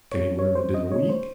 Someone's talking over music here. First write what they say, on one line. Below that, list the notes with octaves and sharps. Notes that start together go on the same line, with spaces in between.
Can he learn it in a week?
C#5
C#5
C5
D#5
C#5
C5